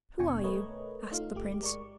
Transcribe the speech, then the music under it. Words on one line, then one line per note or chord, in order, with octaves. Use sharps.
'Who are you?' asked the prince.
D#2 B2 D4 G5 G#5 C#6
A3 A#4 B4 C#5 D#5
A3 D#4 F4 F5
G1 A3 G4 D6
G#3 A#4 D5 C#6